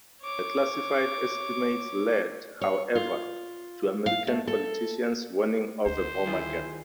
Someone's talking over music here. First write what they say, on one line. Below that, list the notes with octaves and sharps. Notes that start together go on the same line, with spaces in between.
The classified estimates led, however, to American politicians warning of a "bomber gap".
C#5 D6
C#5
F4
F5
A3
A4
D2 C5
D#3 E4 F4 G#4